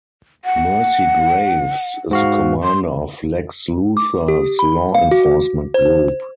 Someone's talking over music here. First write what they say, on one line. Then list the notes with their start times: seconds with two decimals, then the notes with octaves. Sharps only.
Mercy Graves is the commander of Lex Luthor's law-enforcement group.
0.45 F#5
2.11 G#2 F#4 F5
2.63 C6
3.97 D6
4.28 G4
4.59 B5
4.95 F5
5.11 F#4
5.74 C5